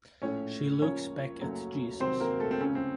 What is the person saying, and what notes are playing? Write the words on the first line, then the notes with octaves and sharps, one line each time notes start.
She looks back at Jesus.
A#1 A2 A3 C#4 C#5
C#2 C#3 F3 A#3 C#4 C#5
F#1 F#2 C#3 F#3 A3
C2 C3 D#3 F#3 C4 C5
A#3 A#4
A3 A4
C4
C#2 C#3 A3 C#4
C4